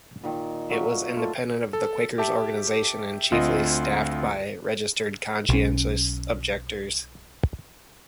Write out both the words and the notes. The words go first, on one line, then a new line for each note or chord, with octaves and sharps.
It was independent of the Quakers' organisation and chiefly staffed by registered conscientious objectors.
A#2 D#3
A#2 F#3 E5 C#6
A3 F4 A4
A4
G4 E5 A5
D2 C4 F4 D#5
B1 C#4